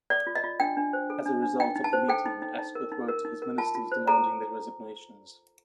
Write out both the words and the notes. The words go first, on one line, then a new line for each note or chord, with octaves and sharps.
As a result of the meeting Asquith wrote to his ministers demanding their resignations.
A4 D5
F4
D#5
F4
D4 G5
D4
C5
A4
D4
D4
D#4 G5
D#4
A5
C5
A4 G5
D#4
D#4
D#4
A#4
D#4
A#4
D#4
A#4
F4 A5
F4
C5
A4 A#5